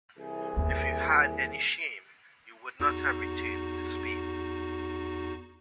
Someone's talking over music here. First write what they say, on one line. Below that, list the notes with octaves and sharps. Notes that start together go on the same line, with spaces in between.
If you had any shame you would not have returned to Spain.
C2 E3 G#4
D#2 A#3
E2 D#4 F#4